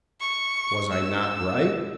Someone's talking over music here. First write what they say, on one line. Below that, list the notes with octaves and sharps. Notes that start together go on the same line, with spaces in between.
Was I not right?
C#6
E6